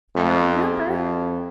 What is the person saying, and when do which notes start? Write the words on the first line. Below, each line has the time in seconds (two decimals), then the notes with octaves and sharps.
"I don't remember."
0.15 F2
0.88 F2